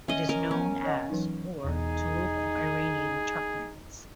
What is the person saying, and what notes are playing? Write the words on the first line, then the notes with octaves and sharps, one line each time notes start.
It is known as or to local Iranian Turkmens.
C#4 D#5 E5
C#4 A#4
F3 B3 C#4
C#5 D#5 F#5
E3 F#3 D#4
E1 E2 D#4 G#4